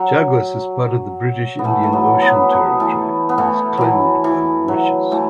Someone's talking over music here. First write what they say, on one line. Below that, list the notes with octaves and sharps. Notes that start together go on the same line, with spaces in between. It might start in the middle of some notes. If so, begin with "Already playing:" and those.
Chagos is part of the British Indian Ocean Territory and is claimed by Mauritius.
Already playing: F#3
B3
E3 A3
A3
F#3 B3
F#3 B3
F#3 B3
E3 A3
B3
E3 A3
E3 F#3
E3
F#3
E3 A3